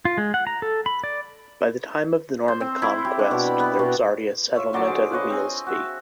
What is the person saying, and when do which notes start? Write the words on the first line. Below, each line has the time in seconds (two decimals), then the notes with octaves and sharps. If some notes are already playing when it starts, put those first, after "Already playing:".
By the time of the Norman conquest there was already a settlement at Weelsby.
0.05 F4
0.18 G#3
0.34 F#5
0.47 A#5
0.62 A4
0.86 B5
1.04 D5
2.48 C5
2.61 C4
2.82 E4
3.05 G4
3.19 D4
3.31 B2
3.45 B5
3.60 B3
3.79 B2
4.55 F4 C#5 E5
4.73 D3 F#3 D5 A5
4.85 G#4 C5
5.10 F4 B4 C#5 D#5
5.30 C4 G#5
5.66 F#4 E5